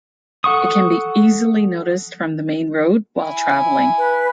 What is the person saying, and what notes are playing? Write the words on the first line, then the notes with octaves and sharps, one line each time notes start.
It can be easily noticed from the main road while traveling.
A4 F#5 C#6 D#6
E4 G#5
B4